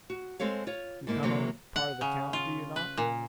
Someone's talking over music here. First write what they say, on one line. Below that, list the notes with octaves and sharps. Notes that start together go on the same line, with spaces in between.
"You come on the part of the count, do you not?"
F#4
G#3 C4 A4 C#5 F5
F4 C#5
G#2 A#3 E4
C3 E3 F#3 A#3
F#5
C#3
F4
B4
A#2